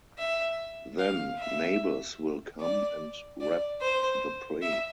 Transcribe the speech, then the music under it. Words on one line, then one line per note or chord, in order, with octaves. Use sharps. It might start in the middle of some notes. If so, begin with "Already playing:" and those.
Then neighbors will come and wrap the prey.
E5
F5
E5
D5
D5
C5
E5